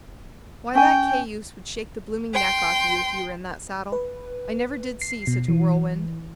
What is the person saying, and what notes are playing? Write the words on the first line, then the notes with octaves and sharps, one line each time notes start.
"Why, that cayuse would shake the blooming neck off you if you were in that saddle. I never did see such a whirlwind."
C#4 G5 G#5
G5 C6
B4
C7
B2
E3